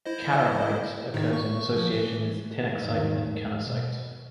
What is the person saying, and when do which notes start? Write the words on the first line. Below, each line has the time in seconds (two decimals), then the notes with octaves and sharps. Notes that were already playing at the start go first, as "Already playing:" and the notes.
Charoite occurs in association with tinaksite and canasite.
0.06 E4 C5 D#5
1.14 A2 D#3 D#4
1.33 C#6
1.76 F3
1.92 E3
2.73 E2 G#2 D#3
3.60 B2